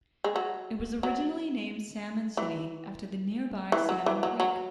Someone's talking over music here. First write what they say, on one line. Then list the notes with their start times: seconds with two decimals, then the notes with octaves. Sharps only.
It was originally named Salmon City after the nearby Salmon Creek.
0.24 G#3
0.36 F#3
1.03 F#3
2.37 E3
3.72 E3
3.89 F#3
4.06 E3
4.23 F#3
4.40 F#3